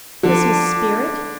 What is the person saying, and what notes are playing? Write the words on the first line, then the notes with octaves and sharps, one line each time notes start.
Christmas spirit?
D3 F3